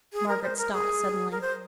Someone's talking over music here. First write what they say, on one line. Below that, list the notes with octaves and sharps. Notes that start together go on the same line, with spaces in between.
Margaret stopped suddenly.
G#4
A#4
C5
A#4
G#4
A#4
C5